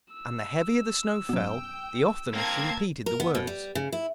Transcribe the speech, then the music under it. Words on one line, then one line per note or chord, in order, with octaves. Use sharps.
And the heavier the snow fell the oftener she repeated the words.
E6
F#2 B2 G5
A#3 C4 A#4 A5 G#6
A#4
B3
B2
G3
C#3
E4